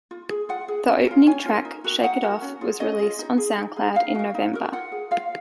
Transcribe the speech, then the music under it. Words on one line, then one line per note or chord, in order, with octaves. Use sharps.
The opening track "Shake It Off" was released on Sound Cloud in November.
F4
G#4
F4 F#5
G#4
C#4
F4 A#4
C#4 G#5
F4 A#4
D#4
F#4 A#4
D#4 F#5
F#4 A#4
C#4
F4 G#4
C#4 D#5
F4 G#4
D#4
G#4
D#4
G#4
D#4 F5
F#4 A#4
D#4
F#4 A#4
F4 F#5
G#4
F4 F5